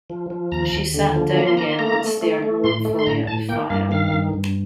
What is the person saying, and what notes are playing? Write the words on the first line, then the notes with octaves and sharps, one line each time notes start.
She sat down again, and stared mournfully at the fire.
F3
F3
D#2 A#5
D#2
D3
F3
A#3 A#5
C6
A#3 A#5
C6
A3 A#5
A3
A3
A3
A2 C6
A3
C6
A2 A#5
A2 A5
A#3 G5
G2 F5
D#3 F5
G2
G2